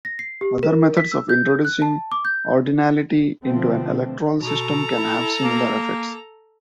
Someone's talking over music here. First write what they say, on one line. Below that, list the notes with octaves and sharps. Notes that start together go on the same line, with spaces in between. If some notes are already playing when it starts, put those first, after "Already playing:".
Other methods of introducing ordinality into an electoral system can have similar effects.
A#6
C7
G4
A#4
B6
E6
G6
F#6
A5
D6
G6
B2 D3 F3 A3 B3 C4
B2 A4 A#5
E4
A#3